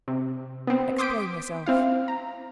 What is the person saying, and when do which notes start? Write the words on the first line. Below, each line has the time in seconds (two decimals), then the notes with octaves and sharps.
"Explain yourself."
0.08 C3
0.67 B3 C4
0.98 C6 D6 D#6 G6 B6 D7
1.66 C4 E4 F5
2.08 A#5